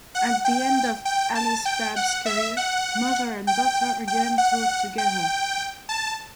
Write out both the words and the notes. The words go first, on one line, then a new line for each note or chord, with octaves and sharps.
At the end of Alice Babs' career, mother and daughter again toured together.
F#5
G5
G5
A5
G5
F#5
E5
F#5
G5
G5
F#5
G5
A5